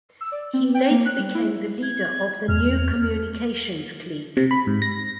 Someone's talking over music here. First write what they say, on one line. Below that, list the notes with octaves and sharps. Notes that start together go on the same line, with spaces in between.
He later became the leader of the New Communications Clique.
E6
D5
C4
G5
A#3
F#6
G3
E4
G#6
E2 F6
C3
B5
G#2
A#6